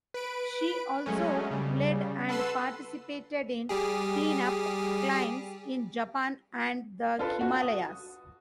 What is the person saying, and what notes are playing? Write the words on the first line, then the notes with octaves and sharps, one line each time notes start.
She also led and participated in "clean-up" climbs in Japan and the Himalayas.
B4 D7
F#3 G#3 A3 C#4
C#3 G3
A4 B4 F#5 C6 E6
G3 G4 G#4
D4 F4 A4 B4
F#4
D#6